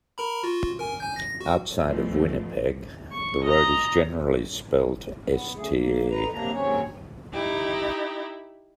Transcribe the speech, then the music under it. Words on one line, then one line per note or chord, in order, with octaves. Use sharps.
Outside of Winnipeg, the road is generally spelled Ste.
A#4 A#5 B5
F4 F#4
A#4 G#5
G#5 G6
A#6
F#4
G#2 B2 F3 A3
C#6
D#5 A#5
B3
C#3 A3 G#4
A#3
D3 D#4 B4 A#5
C3 F#3 A#3 D4 A#5
D#2 G#2 F#3 C4 C#4 C#5
D#4 E4 G4